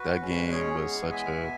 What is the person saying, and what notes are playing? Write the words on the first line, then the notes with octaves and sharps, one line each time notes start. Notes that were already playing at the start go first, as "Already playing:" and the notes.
That game was such a
Already playing: F#4 B4
B2 G#3 C#4
G#4 C#5
E3 G#3 B3
E5 G#5
B2 B3